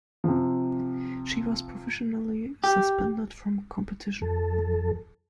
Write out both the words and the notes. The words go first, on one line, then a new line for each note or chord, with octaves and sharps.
She was provisionally suspended from competition.
C3 F3
G4
F2 A4